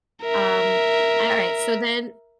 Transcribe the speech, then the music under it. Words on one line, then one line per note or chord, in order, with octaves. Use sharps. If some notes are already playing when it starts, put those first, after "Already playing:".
Um, an all right, so then
A#4 E5